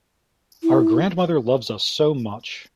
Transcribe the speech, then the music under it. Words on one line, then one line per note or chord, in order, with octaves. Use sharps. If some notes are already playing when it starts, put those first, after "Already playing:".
Our grandmother loves us so much.
E4